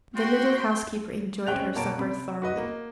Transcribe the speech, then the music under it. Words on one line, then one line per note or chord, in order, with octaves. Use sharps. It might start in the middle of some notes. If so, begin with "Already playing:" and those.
The little housekeeper enjoyed her supper thoroughly.
F#4 G5 C6
G#3 C4 C#4 G5 F#6 F7
B2 A#3 C#5 A5 A#5 D7
C3 B5
F#4 B4 D#5
A#3